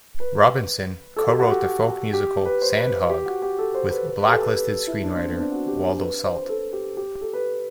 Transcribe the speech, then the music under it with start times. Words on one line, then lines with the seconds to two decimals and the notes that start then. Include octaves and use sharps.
Robinson co-wrote the folk musical "Sandhog" with blacklisted screenwriter Waldo Salt.
0.20 B4
1.16 A4
1.28 G4
1.40 F#4
1.50 G4
2.13 G4
2.45 B4
2.62 C5
2.78 B4
3.10 G4
3.26 F#4
3.42 G4
3.59 A4
3.75 C5
3.91 B4
4.07 B4
4.19 B4
4.27 G4
4.31 A4
4.43 B4
4.55 B4
4.87 E4
5.04 D4
5.16 C4
5.28 B3
5.40 D4
5.52 F#4
5.68 G4
5.85 C5
6.00 B4
6.12 B4
6.24 C5
6.36 B4
6.49 A4
6.73 G4
6.97 G4
7.21 A4
7.33 B4